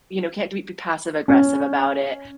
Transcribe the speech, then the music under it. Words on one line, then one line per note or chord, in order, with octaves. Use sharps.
you know, can't do it be passive aggressive about it
C#4